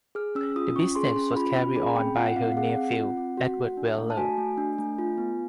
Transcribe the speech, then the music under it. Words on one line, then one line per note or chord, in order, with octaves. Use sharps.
The business was carried on by her nephew Edward Weller.
G#4 F6
C#4 E6
F4 D#6
C#4 C#6
G#4 C6
C#4
F4 B5
C#4
G#4 B5
C4 G5
F4 F#5
C4 F5
F5
G#4 F#5
C4
F4
C4
F#4
A3
D4
A3
A5
F#4 G#5
A3
D4
A3
F4
B3